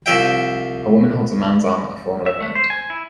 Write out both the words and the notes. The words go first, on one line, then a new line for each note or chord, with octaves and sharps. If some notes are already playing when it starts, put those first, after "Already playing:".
A woman holds a man 's arm at a formal event.
C2 F3 E5 G5
E5
A3
C5
G#5
E4